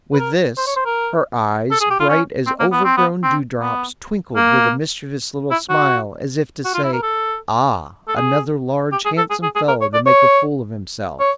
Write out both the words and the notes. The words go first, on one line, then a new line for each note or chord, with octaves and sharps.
With this, her eyes, bright as overgrown dew-drops, twinkled with a mischievous little smile, as if to say: "Ah, another large handsome fellow to make a fool of himself."
B4
A#4
C5
C#5
C5
A#4
A4
G#4
G4
F4
C#4
C4
A#3
B3
C4
B3
C4
B3
A#3
E4
F#4
F#4
F4
E4
A#4
A4
A4
G#4
G4
G#4
A4
G#4
G#4
G#4
A#4
C#5
D5
C#5
C#5